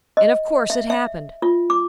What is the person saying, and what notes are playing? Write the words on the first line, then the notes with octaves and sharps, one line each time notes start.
And of course it happened!
D#5
E5
E5
F4
D6